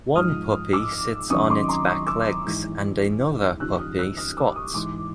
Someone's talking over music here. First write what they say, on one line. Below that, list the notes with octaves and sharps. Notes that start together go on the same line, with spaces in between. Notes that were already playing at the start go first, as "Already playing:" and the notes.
One puppy sits on its back legs and another puppy squats.
G#2 F3 D#6 F6
D6 E6
F#2 D#3 C#6 D#6
C6 D6
A#5 C6
C#6 D#6
D6 E6
G#2 E3
D#2 C#3 F3 E6 F#6
D#6 F6
E6 F#6
D#6 F6
D6 E6
C#6 D#6
G#2 E3 C6 D6